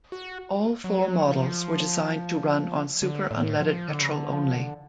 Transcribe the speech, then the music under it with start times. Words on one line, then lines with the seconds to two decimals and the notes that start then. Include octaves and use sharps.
All four models were designed to run on super unleaded petrol only.
0.12 F#4
0.84 F#3
1.28 F3
3.02 D3
3.31 A2
3.60 F3
3.88 D3
4.02 C#3
4.11 D3
4.32 F3
4.54 D3